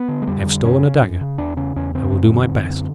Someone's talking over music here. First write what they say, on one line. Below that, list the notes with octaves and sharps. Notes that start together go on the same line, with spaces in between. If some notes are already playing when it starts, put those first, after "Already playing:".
I have stolen a dagger--I will do my best!
Already playing: B3
D3
G#3
F2 G3
D3
F#2 C#4
C#3
F#2
C#3
E2 D4
C#3 C#4
E2 C#4
C#3 C4
F#2
D3
F#2
D3